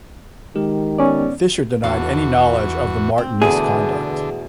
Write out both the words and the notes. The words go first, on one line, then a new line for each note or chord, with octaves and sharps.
Fisher denied any knowledge of the Martin misconduct.
D#3 G#3 G4
B3 C#4 D5
E2 D4 F#4 F5
C4
E2 B2 D3 A3 D4 G#4